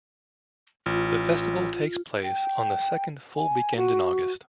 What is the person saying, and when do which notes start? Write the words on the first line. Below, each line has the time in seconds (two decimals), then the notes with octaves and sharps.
The festival takes place on the second full weekend in August.
0.86 A1 F4
2.23 G5
3.36 G#5
3.76 F#4